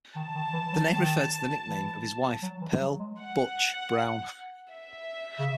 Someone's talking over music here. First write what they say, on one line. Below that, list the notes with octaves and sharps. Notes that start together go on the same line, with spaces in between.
The name referred to the nickname of his wife, Pearl "Butch" Brown.
D#3 A5
D#3
E3
F#3
D#3
E3
F#3
E3
F#3
G#3
F#5
E5
C#3